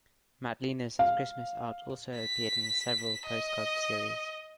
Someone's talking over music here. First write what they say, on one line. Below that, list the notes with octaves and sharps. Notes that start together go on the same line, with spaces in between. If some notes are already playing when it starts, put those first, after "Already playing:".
Madlener's Christmas art also appeared in several postcard series.
F5
B6
D#5